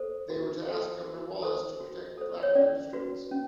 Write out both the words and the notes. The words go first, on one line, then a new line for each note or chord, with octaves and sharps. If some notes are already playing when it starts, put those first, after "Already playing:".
They were to ask Governor Wallace to protect black registrants.
Already playing: A4 C5
F#4
A4 C5
F#4
A4 C5
F#4
A4 C5
C#5
C#4 D5
F#4 B4
C#4